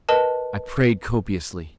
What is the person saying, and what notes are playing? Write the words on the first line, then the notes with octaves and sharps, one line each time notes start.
I prayed copiously.
A#4 B4 D#5 A5